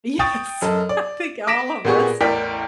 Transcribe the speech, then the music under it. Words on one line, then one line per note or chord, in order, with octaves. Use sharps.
Yes, I think all of us,
G5 C#6 D#6 A6
F#2 A4 D#5
D5
D6 A#6 B6 D7 E7
A#2 A#3 B3 G4 G#4 C#6
A1 E2 A#4 D5 G5 B6